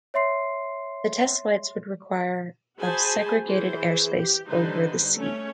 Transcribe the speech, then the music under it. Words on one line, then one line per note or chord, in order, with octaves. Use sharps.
The test flights would require of segregated airspace over the sea.
C#5 E5 C6 C7
F#4 G#4 C5 G#5 A5 B5
E3 G#4 C5
G4
D3 G3 D#4 B4 C5
A3 C#4 C#5